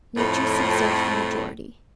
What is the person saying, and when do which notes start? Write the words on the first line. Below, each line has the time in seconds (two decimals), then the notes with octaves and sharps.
Nature subserves the majority.
0.17 F2 A2